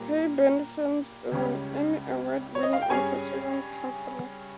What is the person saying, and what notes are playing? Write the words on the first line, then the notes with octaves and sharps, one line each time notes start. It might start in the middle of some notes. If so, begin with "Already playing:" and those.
Pyburn Films is an Emmy Award winning entertainment company.
Already playing: A#2 G3 A#3 A#5
C#2 C#3 G3 C#4 G4
C#5
D#5
F5
G5
G2 G3 C#4 G#4 C#5 G#5